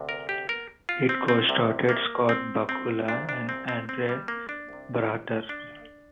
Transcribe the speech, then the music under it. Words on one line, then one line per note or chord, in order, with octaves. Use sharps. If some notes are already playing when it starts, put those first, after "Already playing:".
It co-starred Scott Bakula and Andre Braugher.
Already playing: D2 C3
A#4
G4
A#4
F4
C4
C4
C2 C3
A#3
C4
C4
C2 A#2 D4
D4
C4
C4
C4
G3
A#3
D4
C2 C3
D4